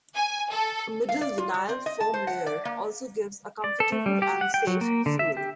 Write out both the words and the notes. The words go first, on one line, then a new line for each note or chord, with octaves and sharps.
A middle vinyl foam layer also gives a comfortable and safe feel.
G#5
A4
F5
D5
F4
G3
C4
D#5
A5
C5
F#5
D5
A#3
D5
A4
A3
G3
G4
F#5
G5
F#3
A#3
D3
E5
G4